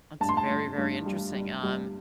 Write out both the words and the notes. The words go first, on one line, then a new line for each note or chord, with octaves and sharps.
That's very, very interesting, um,
G2 A5
C6
A5
G2
G2
G3
G3
G3